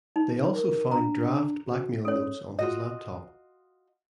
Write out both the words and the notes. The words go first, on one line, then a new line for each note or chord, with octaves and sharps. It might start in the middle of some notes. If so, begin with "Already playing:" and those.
They also found draft blackmail notes on his laptop.
D#4
A#4
D4 A#5
F#4
C#4 A4 C#5
F4 F#4 D#5